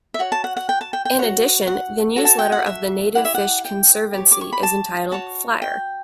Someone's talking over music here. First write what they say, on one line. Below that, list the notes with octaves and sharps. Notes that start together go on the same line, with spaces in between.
In addition, the newsletter of the Native Fish Conservancy is entitled Flier.
E5
F#4 C#5 F#5
A5
F#5
F#5
G5
A5
G5
G5
F#4 C#5 F#5
F#5
F#4 A4 C#5
A5
G5
F#5
E5
E4 G4 D5 F#5
E5
F#5
G5
G4 C#5
D6
C#6
B5
A5
F#4 C#5 A5
G5